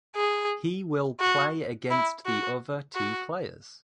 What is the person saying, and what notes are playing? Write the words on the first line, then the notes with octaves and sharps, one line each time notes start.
He will play against the other two players.
G#4
F#4
E4
F#4
F#4